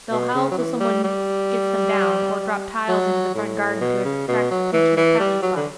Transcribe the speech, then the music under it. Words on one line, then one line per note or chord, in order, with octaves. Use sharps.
They'll howl till some one gets them down, or drop tiles into the front garden to attract attention of passersby.
B2
C#3
F#3
E3
G3
G3
F#3
A2
B2
C#3
B2
F#3
E3
E3
G3
F#3
D3